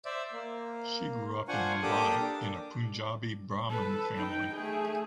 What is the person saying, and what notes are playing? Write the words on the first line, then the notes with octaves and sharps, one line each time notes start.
She grew up in Mumbai in a Punjabi Brahmin family.
C5 D5 E5
A#3
D4 F4 C5 F#5 G#5 C#6
A#3 D4 G4 A4 D6 D#6
D4
A4 B4
D#4 G5
A3 G#4